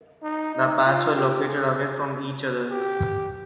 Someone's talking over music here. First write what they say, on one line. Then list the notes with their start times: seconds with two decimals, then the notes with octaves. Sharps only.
The pads were located away from each other.
0.23 D#4
0.55 D#4
0.86 F4
1.15 G4
1.47 G#4
2.70 G4